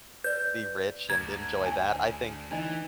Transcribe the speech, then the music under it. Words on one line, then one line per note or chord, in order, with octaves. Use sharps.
be rich and enjoy that. I think
B4 D5 G6
D2 A#5 G#6
D4 G#5 A5
E3 D4 D#4 D#5